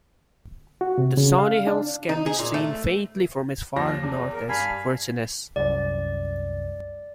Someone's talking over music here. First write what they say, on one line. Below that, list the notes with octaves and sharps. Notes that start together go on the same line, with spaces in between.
The Shawnee Hills can be seen faintly from as far north as Vergennes.
F#4
C3
C#3
F5
D4
D#4
G#4
A#2
A3
D#2 F3 A#6
E2
A#4
G2 F5 G#5 B5
C2 F#2 D5